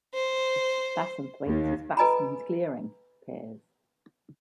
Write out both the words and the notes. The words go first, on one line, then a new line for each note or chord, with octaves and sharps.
'Bassenthwaite' is 'Bastun's clearing', pers.
C5
D#2
A4 B4 D#5 G#5 A#5 B5